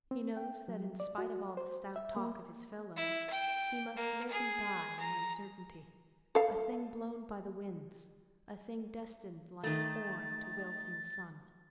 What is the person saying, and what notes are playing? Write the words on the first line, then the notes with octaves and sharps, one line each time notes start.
He knows that in spite of all the stout talk of his fellows he must live and die in uncertainty, a thing blown by the winds, a thing destined like corn to wilt in the sun.
C4
G5
F#3
D5
F#4
C5
E5
A#3
E4
G5
A#3
G#4
A#5
A4 F5
D#3 A3 A6